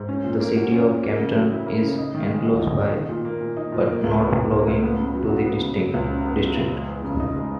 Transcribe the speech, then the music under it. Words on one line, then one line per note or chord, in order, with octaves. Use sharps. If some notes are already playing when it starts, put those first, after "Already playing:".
The city of Kempten is enclosed by, but not belonging to the district.
Already playing: G#2
C#4
A#2
A#3
F#4
C#4
A#2
A#3
C#3
F#3
E4
A#3
C#3
D#4
D#3
G#3
F#4
D#4
D#3
D#4
A#2
A#3
A#2
D#4
A#2
A#3
C#2
B2
C#2
A#3
C#2
B3
C#3
F#3
F#4
B3
C#3
F#3
C#2
C#3
B3
F#3
C#2
G#3
E2
C#3
D#4
G#3